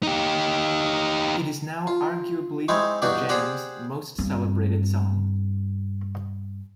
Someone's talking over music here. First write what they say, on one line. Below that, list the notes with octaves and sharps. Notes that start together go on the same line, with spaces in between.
It is now arguably The Jam's most celebrated song.
D#4 G4
F4
G#3 C4 D#4 E4 C#5
E2 G2 D#4 F#4 G4 D5
G4 G#4 C5 D5 F#5 G5
G2 C4